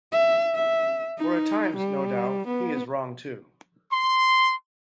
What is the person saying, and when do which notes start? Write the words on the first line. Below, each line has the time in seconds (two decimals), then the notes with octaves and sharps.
For at times, no doubt, he is wrong too.
0.12 E5
0.54 E5
1.18 D#4
1.77 G3
2.47 B3
3.91 C6